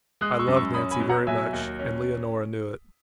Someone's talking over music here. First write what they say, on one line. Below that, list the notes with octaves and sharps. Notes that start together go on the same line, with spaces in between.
I loved Nancy very much--and Leonora knew it.
G#3 D#6 F#6
C#6 E6
F#2
C#6 E6
C#4 B5 D#6
G#5 B5
B2
F#5 A#5
F#3 E5 G#5
D#2
C#4